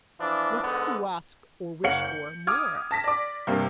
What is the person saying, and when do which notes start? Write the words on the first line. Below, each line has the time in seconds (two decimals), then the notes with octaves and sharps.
What could you ask, or wish for, more?
0.20 E3 F3 D4
0.63 G#2 D3 B3
1.84 F#1 C#5 F5 F#5 C#7 F#7
2.04 G6
2.47 D6 D#6 F6 G#6
2.91 A5 A#6 B6
3.04 D5 D6
3.47 G2 C3 A#3